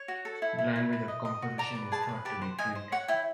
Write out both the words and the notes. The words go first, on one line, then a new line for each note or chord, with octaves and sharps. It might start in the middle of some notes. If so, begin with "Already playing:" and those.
The language of composition is thought to be Greek.
Already playing: C#5
F#4
A4
E4
E4
E4
B4
D#5
D#5
F#4
D5 A#5
B4
G#4 A5
B4
G4 A5
C5
D#5 G#5
C5
C#5 F#5
E4 G5